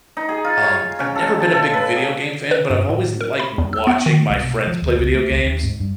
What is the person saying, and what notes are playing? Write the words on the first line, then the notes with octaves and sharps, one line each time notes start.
Um, I've never been a big video game fan, but I've always liked watching my friends play video games.
D#4
G#4
F4
C#5
C#4
A4
A5
A4
B4
G#4
B4
G2
A2
A#4
B5
E2
E6
B3
D#3
C2
B2
F3
D#2
C#2
A3
C#2
D#2
G#2
G2